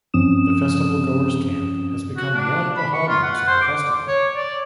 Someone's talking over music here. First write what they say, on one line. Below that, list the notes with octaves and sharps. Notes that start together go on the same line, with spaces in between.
The festivalgoers' camp has become one of the hallmarks of the festival.
G2 F3 C4 C#4 D#6 E7
F#4
D4
B5
C#6
F4
F#5
C5
D6
C#5
D5